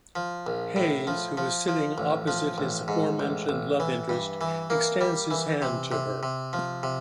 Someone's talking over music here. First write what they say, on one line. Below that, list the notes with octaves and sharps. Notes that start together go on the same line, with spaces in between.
Hayes, who is sitting opposite his aforementioned love interest, extends his hand to her.
F3
A#1
A2
F3
F3
F3
A1
F3
A1
G#2
A1
A1
E3
G2
E3
A#3
G3
E3
C3
C3
C3
F3
C3